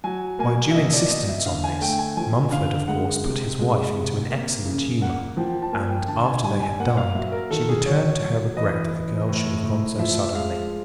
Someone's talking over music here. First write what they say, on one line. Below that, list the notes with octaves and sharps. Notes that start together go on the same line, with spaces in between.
By due insistence on this, Mumford of course put his wife into an excellent humour, and, after they had dined, she returned to her regret that the girl should have gone so suddenly.
F#3 G#5
A#3 G#5
E5
B2 D#5
D5
A#3 D#5
E5
D3 F5
G#5
A3 G5
G#5
F3 G#5
D3 F5
G#3 F#5
C3
G#3
C3
A#3
C#3
A#3 F#5
F3 G5
A5
A#3 G#5
G5
D3 A5
G#5
G3 G#5
G#5
A#3 F#5
F5
F#3 E5
A#4
D#3 A4
G#4
F#3 C#5
F#3
E3 D#5
E3
A2
A2
F3 E5
G#3 F5